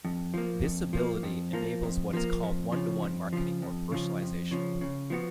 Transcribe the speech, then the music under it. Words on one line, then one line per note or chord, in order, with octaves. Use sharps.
This ability enables what is called one-to-one marketing or personalization.
F2
F3 A#3
F2
F3 A#3
F2
F3 A#3
F2
F3 A#3
F2
C#3 F3
F2
C#3 F3
F2
C#3 F3
F2
C#3 F3
C#3
F3 B3 F#4